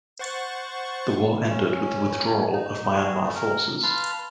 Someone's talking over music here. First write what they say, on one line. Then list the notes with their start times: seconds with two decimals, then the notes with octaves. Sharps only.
The war ended with the withdrawal of Myanmar forces.
0.19 C5 F#5 C#6 A6
1.49 C#4
2.53 D#4
2.94 F#4 G#4
3.23 A3
3.35 A#4
3.83 B4 F5 A5 C6